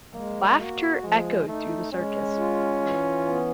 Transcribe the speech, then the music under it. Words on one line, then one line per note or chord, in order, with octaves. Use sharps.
Laughter echoed through the circus.
G#3 A#3
A#3 F#4
F3 G#3
A3 D#4
G#3 C#4
F4
E3
B3